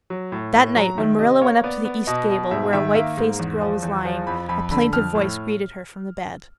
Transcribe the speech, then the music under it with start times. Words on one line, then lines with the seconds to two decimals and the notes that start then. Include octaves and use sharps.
That night, when Marilla went up to the east gable, where a white-faced girl was lying, a plaintive voice greeted her from the bed.
0.10 F#3
0.32 A2
0.54 A2
0.76 F#3 A#5
0.98 D#3 E5
1.19 C3 D#5
1.42 A#3 C#5
1.64 B3 D5
1.85 B3
2.07 B2 D#5
2.30 B2
2.51 G#2 E5
2.73 D#3 E5
2.95 A#3 E5
3.17 G#2
3.39 E2
3.61 F3
3.83 E2
4.05 F3
4.27 F2 B5
4.49 F2 B5
4.71 D3 B5
4.93 F2 F6
5.15 A2